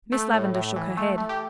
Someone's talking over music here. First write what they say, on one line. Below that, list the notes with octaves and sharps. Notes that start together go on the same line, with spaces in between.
Miss Lavendar shook her head.
A3
A2
A2
E3
A3
A3
G4